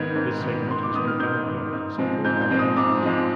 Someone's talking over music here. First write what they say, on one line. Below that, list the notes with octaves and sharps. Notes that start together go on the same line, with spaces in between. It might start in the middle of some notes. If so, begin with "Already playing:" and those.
This segment was near Dunningville in central Allegan County.
Already playing: G#2 D#3 B3 G#6
G#2
D#3 B3
G#2 C6
D6
D#3 B3 D#6
F6
G#2 G6
D#3 B3
G#2
F3 G#3 C4
G#2 G6
G6
F3 G#3 C4
D#6
G#2 D6
F3 G#3 C4